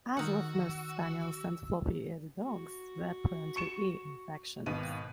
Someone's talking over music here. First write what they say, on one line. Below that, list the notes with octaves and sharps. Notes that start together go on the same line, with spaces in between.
As with most spaniels and floppy eared dogs, they are prone to ear infections.
D#3 F#4 F#5 E6
F#4
C#6 C#7 E7
G#1 B2 D#7